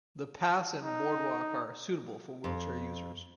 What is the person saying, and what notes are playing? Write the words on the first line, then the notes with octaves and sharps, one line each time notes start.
The paths and boardwalk are suitable for wheelchair users.
D#4
F2